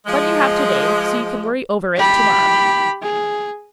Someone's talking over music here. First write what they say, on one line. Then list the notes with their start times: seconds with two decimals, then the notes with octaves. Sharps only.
Fun you have to-day so you can worry over it to-morrow.
0.07 F3 G#3
1.97 G4 B5
3.03 G#4